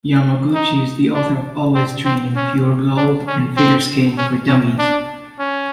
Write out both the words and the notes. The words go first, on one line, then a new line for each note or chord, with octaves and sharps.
Yamaguchi is the author of "Always Dream", "Pure Gold", and "Figure Skating for Dummies".
D#4
D4
C4
C4
C#4
D4
C#4
C4
C#4
C#4
D4
C#4